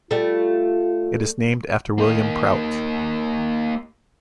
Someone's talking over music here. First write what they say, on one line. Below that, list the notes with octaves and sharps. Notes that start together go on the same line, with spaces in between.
It is named after William Prout.
G3 A3 F4
A#3 D#4